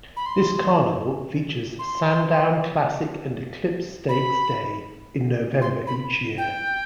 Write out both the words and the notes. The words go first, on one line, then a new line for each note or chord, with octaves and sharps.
This carnival features Sandown Classic and Eclipse Stakes Day in November each year.
B5
C6
C6
B5
C6
B5
G5